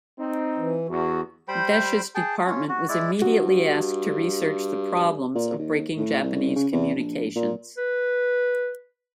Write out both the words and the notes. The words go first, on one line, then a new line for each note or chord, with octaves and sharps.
Desch's department was immediately asked to research the problems of breaking Japanese communications.
C4 D#4
E3
E2 F#4
G3 C5 G5 B5
G#4 G5 A5
C#4 F4
F#4
G#3 E4 D5
G2 F#4
A#2
D#2
A2
C2
C#3
E2
A#1
A#2
B4